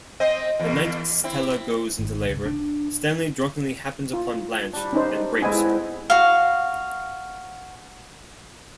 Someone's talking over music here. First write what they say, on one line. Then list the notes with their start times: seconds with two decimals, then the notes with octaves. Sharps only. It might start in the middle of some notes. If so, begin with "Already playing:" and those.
The night Stella goes into labor, Stanley drunkenly happens upon Blanche and rapes her.
0.20 C4 C5 D#5
0.59 E2 A#3
1.24 C4 E4
1.99 G#1
2.29 C#2
2.46 D4
4.13 F4
4.73 G3 D4
4.93 C#4 D#4 C5
5.42 G#3 B3 C4 E4 D#5 G#5
6.10 F#4 F5